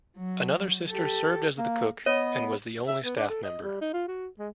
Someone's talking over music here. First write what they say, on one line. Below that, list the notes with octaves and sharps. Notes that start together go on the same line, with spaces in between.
Another sister served as the cook and was the only staff member.
F#3
G4 A4
A#3
B3 C#5 D#5
E5
B3
D4
A4
D#5
G3
D#4
F4
F#4
G#3